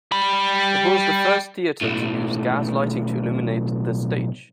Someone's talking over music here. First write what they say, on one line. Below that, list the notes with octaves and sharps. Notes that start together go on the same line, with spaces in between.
It was the first theatre to use gas lighting to illuminate the stage.
G3 B5
B1 A2